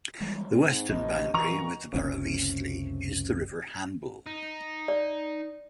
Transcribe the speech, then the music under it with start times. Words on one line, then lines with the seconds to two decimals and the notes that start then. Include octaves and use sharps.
The western boundary, with the Borough of Eastleigh, is the River Hamble.
0.21 E3 G3 G#3
0.52 G#2 C4
0.89 A1 C3 D#5
1.34 A#2 E3 F#4 D#5 A#5 C#6 F7
1.94 F#1 C#2 C3 C#4
4.27 D#4
4.88 D5